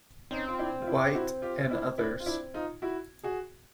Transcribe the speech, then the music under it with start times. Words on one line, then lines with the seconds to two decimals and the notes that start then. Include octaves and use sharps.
White and others.
0.31 C4 C#4 D#4
0.48 F4
0.59 D4 E4
0.82 F4
0.87 D4 E4
1.03 G4
1.14 E4 F#4
1.42 F4 G4
1.70 D4 E4
1.98 D4 E4
2.20 F4
2.26 D4 E4
2.54 D#4 F4
2.82 E4 F#4
3.24 F#4 G#4